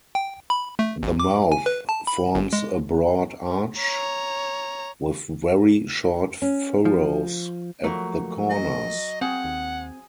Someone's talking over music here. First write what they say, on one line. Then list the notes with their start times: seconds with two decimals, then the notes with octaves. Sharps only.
The mouth forms a broad arch, with very short furrows at the corners.
0.15 G5
0.50 B5
0.79 A3
1.03 A1
1.20 D6
1.52 G#5
1.66 B4
1.89 A5
2.07 B5
2.35 G1
2.53 G#3
3.79 C#5 A#5
6.42 C#4
6.85 F3
7.84 F3 F#3 A3 A#3
8.50 D#5
9.21 C4 G#4 F#5
9.44 D#2